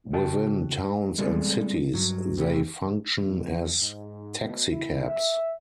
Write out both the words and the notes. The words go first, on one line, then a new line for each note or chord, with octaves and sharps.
Within towns and cities, they function as taxicabs.
C#3 F#4 G5 A5
G3 G#3 C4 G#4 A4 D5
G2 F#3
C3 E3 A3 G4
F2
G#2
B2
E4
E5